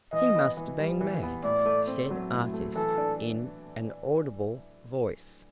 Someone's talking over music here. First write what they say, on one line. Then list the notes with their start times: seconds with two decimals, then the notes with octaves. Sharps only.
"He must have been mad," said Artis, in an audible voice.
0.13 E3 D#5
0.35 B3
0.57 E3
0.79 G3
1.01 E3
1.23 B3
1.44 A2 D5
1.65 A3
1.87 C4
2.10 F#3
2.31 A2
2.53 A3
2.75 E3 A4
2.98 D4